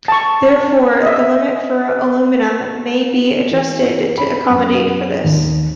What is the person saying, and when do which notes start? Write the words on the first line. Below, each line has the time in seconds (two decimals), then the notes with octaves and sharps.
Therefore, the limit for aluminium may be adjusted to accommodate for this.
0.08 A5 C#6
1.03 D#5 E5
3.51 E3
3.81 C#5
4.18 B5
4.50 F#2
5.24 D#2